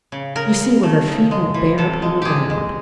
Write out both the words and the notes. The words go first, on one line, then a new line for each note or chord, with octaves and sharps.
You see where her feet went bare upon the ground.
C#3
C#3 A#4
C#3
A3
C#3
G#3
E3
C3 A4
G#3
C3 G4 G#4
G#3